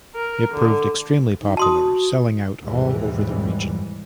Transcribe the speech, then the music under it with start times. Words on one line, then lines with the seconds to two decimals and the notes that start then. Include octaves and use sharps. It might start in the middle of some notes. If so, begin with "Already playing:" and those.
It proved extremely popular, selling out all over the region.
0.15 A#4
0.52 D3
1.42 D#4
1.57 F#4 A5 C6 D#6
2.61 D#2 G#2 B2 E3 G3 G#3